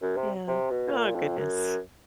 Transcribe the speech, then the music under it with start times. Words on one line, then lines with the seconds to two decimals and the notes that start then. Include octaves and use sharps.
Yeah. Oh goodness.
0.02 F#2
0.17 C3
0.48 C3
0.70 B2
0.92 A#2
1.15 F2
1.38 F#2